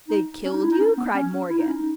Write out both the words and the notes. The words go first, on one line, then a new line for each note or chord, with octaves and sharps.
"They killed you?" cried Morgan.
D#4
C#4
D#4
E4
D#4
C#4
B3
C#4
E4
D#4
C#4
D#4